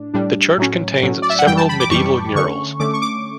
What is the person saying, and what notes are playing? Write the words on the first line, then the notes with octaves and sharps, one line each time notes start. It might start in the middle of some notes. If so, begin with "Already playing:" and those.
The church contains several medieval murals.
Already playing: A2 D4
A2 G3 D4
A2 F#3 C#4
A2 F#3 C#4
D5
E5
F#5
F#2 E3 G3 G5
A5
B5
D6
F#2 E3 G3 C#6
D3 A3 C#4 C#6
D3 A3 C#4 D6
C#6
D6